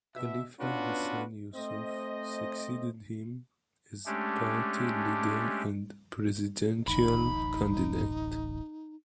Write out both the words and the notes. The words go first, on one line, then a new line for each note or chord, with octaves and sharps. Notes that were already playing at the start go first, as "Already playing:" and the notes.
Khalifa Hassan Yusuf succeeded him as party leader and presidential candidate.
B2 E5
B3 C#4 D4 F4 F#4 B4
A3 C4 C5 D#5
G#3 A3 C#4 D4 G4
D1 A1 D#4 B5